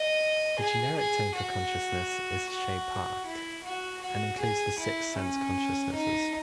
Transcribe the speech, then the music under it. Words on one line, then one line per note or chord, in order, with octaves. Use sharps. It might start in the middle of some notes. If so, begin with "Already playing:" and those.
The generic term for consciousness is "shes pa", and includes the six sense consciousnesses.
Already playing: D#5
G#4
G#4
F#4
F#4
E4
F#4
F#4
G#4
E4
C#4
D#4